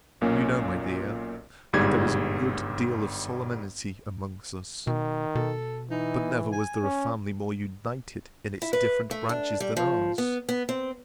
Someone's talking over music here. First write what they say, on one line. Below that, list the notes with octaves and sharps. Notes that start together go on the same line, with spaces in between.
You know, my dear, that there is a good deal of solemnity among us. But never was there a family more united in its different branches than ours.
B1 A#2 A#3 C#4
G1 G#2 G3 G#6
B2 D#3
B2 A4
E3 D#4
G#5
C#4
E4
B4
A3
D4
G3
F3
B3
B3
C4